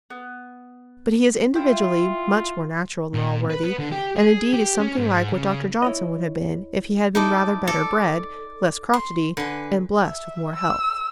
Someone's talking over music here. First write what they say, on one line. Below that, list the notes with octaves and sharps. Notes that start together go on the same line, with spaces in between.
But he is individually much more natural than Allworthy, and indeed is something like what Dr Johnson would have been if he had been rather better bred, less crotchety, and blessed with more health.
B3
E4 F4 E5 G5
A#2
B4
B3
D3
G4
G#4
G4
C#4
G#2
C#3
E4 C#5 D#5
D#4 E4 A4 D5
A4 D5
C6
D3 B4 G#5
E5
E6